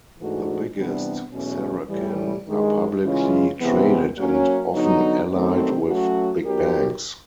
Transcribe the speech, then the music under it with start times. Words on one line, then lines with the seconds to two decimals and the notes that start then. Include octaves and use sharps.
The biggest "sarakin" are publicly traded and often allied with big banks.
0.19 G#2 E3 A3 D4 F#4
0.76 C3 E3 G3 B3 D4
1.32 E2 B2 F#3 A3 C#4
1.89 A2 E3 G3
2.46 G2 D#3 G#3
3.03 C#3 E3 G#3 C#4 F4
3.59 C3 E3 G#3 B3
4.17 F#3 A#3 C#4
4.73 D3 F#3 B3 D#4
5.30 D#3 F#3 A3 C4
5.87 F#3 A3 C#4 F#4
6.43 F#3 B3 D#4 G4 A#4